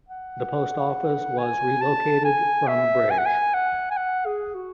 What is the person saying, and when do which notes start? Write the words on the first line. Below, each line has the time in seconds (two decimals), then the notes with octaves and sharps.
The post office was relocated from Breage.
0.08 F#5
1.38 G#5
1.81 A5
2.25 G#5
2.68 E5
3.11 G#5
3.18 F#5
3.26 G#5
3.54 F#5
3.91 G#5
3.97 F#5
4.26 G#4
4.55 F#4